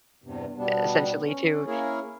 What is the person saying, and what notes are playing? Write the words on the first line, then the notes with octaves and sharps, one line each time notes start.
essentially, to
E2 G2 C3
B2 G3 B3 D4
C#4
A#3 C#4 E4 G#4 A#4 C#5